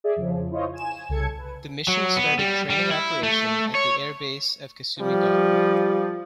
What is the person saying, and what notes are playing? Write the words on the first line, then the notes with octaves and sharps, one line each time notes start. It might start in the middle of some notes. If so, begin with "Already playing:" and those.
The Mission started training operation at the air base of Kasumigaura.
G#4 D5 E5
F2 C#3 F3
E4 F4 C5 C#5 D#5
G#5 E7
C2 C#3 A4 G#6 C#7
B4
F#3
B3
G3
G3
E4
A3
C#5
F3 G3